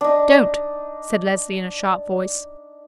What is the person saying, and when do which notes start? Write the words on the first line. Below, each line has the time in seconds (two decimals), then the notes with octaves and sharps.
"Don't," said Leslie in a sharp voice.
0.01 D4 D#4